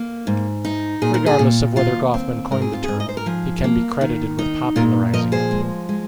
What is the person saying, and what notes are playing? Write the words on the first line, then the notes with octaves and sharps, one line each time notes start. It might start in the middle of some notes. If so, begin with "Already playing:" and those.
Regardless of whether Goffman coined the term, he can be credited with popularizing it.
Already playing: A#3
G#2
D#4
A#2 G#4
A#4
G#4
A#2
D#2 F4
C4
G#2 A#4
G#4
F4
G#2 G#4
D#5
C5
A#4
F3 G#4
A#3
D#3
D#4
A#2 F4 A#4
F3 A#4 D#5
G#4 C5
G#3
G#3